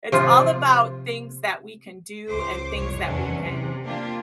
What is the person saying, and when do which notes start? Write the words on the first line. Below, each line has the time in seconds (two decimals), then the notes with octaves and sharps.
it's all about things that we can do and things that we can g
0.12 C3 F3 F4
2.30 C#2 C5 D6
2.75 C2 F2 C#5
3.05 E2 C3 D#3 F#3 C#4 D4
3.39 C3
3.84 A#3 D4 F4 G4